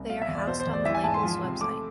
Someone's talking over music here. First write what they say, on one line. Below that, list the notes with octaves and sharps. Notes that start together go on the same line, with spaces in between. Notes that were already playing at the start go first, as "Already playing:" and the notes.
They are housed on the label's website.
Already playing: C2
B2 F5
E5
E2
D5
B2 C5
C5
E2
D5
E3 E5
G#5
G#2 A5
C6
F3
C3
A3 D6